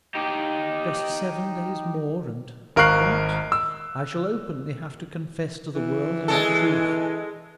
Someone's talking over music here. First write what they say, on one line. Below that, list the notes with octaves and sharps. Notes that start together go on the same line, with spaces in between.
Just seven days more and what!--I shall openly have to confess to the world an untruth!
D#4 G4
G#1 A#4 F5 C#6 F#6 C7
E6
E3
G#3 A4